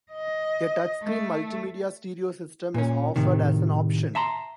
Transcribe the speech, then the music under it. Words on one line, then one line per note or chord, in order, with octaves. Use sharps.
A touchscreen multimedia stereo system is offered as an option.
D#5
A3
A#2 C#4
A2 C3 D#3
E5 A5 A#5 C6